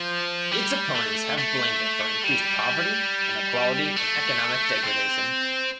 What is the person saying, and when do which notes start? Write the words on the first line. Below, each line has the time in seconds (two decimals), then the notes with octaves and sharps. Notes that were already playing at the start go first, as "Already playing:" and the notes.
Its opponents have blamed it for increased poverty, inequality and economic degradation.
Already playing: F3
0.52 G3
0.95 A3
1.38 A3
2.24 G3
3.97 A3
4.83 C4